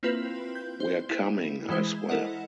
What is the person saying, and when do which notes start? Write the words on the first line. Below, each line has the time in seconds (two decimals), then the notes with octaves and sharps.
We're coming, I swear.
0.03 A#3 C4 E4 F4 B4
0.55 G6
0.80 C5
1.10 E4
1.69 E3 G#3 E4 C5
2.09 E4 A4 A#4 D#5 F#5